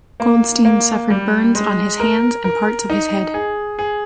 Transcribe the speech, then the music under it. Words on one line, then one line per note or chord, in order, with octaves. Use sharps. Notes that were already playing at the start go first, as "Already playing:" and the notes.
Goldstein suffered burns on his hands and parts of his head.
A#3
A#3
G3
G#3
A#4
A#4
D#4
G#4
G#4